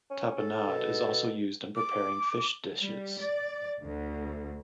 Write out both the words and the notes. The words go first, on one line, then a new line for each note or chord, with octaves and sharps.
Tapenade is also used in preparing fish dishes.
C#4
A4
B2
D6
G3
D5
D2